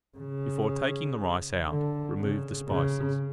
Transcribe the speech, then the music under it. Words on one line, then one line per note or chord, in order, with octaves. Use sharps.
Before taking the rice out, remove the spices.
C#3
D3
C#3
C#3